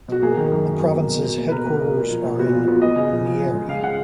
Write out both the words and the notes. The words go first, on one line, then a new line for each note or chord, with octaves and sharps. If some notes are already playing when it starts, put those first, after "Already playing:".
The province's headquarters are in Nyeri.
B2 F#4
A#3 G#4
D#3
F#2
F#2
F#2
A#3
B2
B2
A#3
B4
B2 A#4
A#3
B2
A#2
F3
A#2
B3 F#4
F3 F4
B3 F#4
B3 D#5
C#3
F3
F3
C#3
G#3
C#3 F5
C#3 F#5